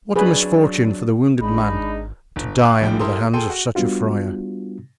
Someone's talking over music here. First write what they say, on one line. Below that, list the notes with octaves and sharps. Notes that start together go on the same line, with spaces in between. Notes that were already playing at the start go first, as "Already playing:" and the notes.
"What a misfortune for the wounded man to die under the hands of such a friar!"
F#3 D4 G#4 B4
G#1 G#3 D4 D#4 B5
G1
F5 C#6 D6 F#6
D1 A#1 D3 F3 G3 G5
E4 G4 A4 A#4 C6 D#6
G#4 A4 G5 C6 D#7
F#4
G3 B3 D4 F4 F#4